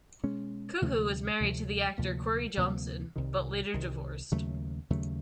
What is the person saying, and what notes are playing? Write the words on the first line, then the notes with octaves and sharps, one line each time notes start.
Cohu was married to the actor Corey Johnson, but later divorced.
B2 G#3 C#4
D2 C3 F3 A3
D2 C3 F3 A3
D2 C3 F3 A#3
D2 C3 F3 A#3
C2 C3 D#3
C2 C3 D#3
D#2 C#3 F#3 A3
D#2 C#3 F#3 A3